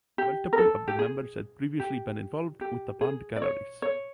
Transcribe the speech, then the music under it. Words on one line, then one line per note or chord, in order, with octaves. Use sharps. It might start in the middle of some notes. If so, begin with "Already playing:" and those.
Multiple of the members had previously been involved with the band Galleries.
G4
A#4
A4
G4
G#4
G4
G4
G#4
D5
C#5
C#5